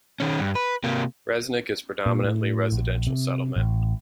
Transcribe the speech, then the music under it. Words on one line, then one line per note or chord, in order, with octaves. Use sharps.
Resnik is predominantly residential settlement.
D#3 C#4
G2
B4
C3 A#3
A#2
A2
A#1
C3
A1